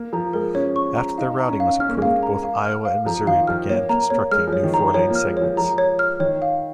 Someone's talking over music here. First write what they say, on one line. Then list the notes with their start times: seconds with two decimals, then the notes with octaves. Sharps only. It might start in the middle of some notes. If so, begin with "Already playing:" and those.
After the routing was approved, both Iowa and Missouri began constructing new four-lane segments.
Already playing: A#3
0.13 F3 A#5
0.33 G#3 A#4
0.55 C#4 C#5
0.76 C#6
0.96 A#5
1.18 D#4 F5
1.39 A#5
1.49 C#4
1.60 F5
1.80 C#4 F6
1.89 A#3
1.97 G#3
2.02 A#3 F5
2.23 A#5
2.43 F5
2.65 F6
2.85 F5
3.06 F3 A#5
3.27 D#3 F5
3.47 F3 F6
3.69 A#3 C#5
3.89 A#3 A#5
4.10 A#3 C#5
4.31 G#3 F6
4.47 F3
4.53 C#5
4.63 D#3
4.74 F3 A#5
4.94 F3 C#5
5.10 A#3
5.15 F6
5.25 G#3
5.37 F3 C#5
5.57 F3 A#5
5.78 C#5
5.99 F6
6.20 D#3 C#5
6.42 F5